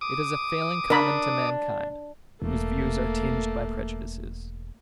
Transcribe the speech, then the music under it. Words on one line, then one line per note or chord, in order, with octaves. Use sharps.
It is a failing common to mankind, whose views are tinged by prejudices.
D6 D#6
D4 A#4 B5
E1 A3 A#3